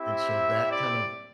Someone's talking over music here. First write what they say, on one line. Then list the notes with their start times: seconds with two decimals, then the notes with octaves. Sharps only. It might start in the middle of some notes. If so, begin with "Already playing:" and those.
and so that kind of,
Already playing: C4 E4 G4 E5
0.70 D5